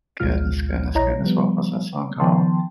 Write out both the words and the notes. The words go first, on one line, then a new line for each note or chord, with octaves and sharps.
Goodness, goodness, goodness. What was that song called?
A1 D2 B2 G#3 F4 F6
A#1 E4 C#5 D#5 A#5
F3 G3 B3
D#3 F3 B3 G5 A5 C6